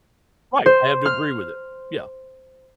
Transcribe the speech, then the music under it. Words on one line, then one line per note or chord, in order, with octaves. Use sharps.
Right, I have to agree with it. Yeah,
C5
F6